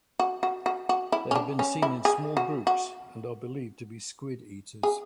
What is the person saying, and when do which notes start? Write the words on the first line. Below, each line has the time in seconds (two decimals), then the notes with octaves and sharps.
They have been seen in small groups, and are believed to be squid eaters.
0.19 F#4
0.43 F#4
0.66 F#4
0.89 F#4
1.12 E4
1.31 C#4
1.35 D4
1.59 C#4
1.82 E4
2.05 G#4
2.37 F#4
2.67 F#4
4.83 G#4